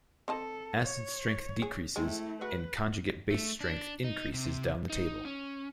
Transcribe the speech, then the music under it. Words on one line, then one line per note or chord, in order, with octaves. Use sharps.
Acid strength decreases and conjugate base strength increases down the table.
C4 A4 D#5 A5
C#5
G#4
G#3 A3 C4 E4
G#3 F#4 B4
A3
D4
D#4
C3
D#4
C#4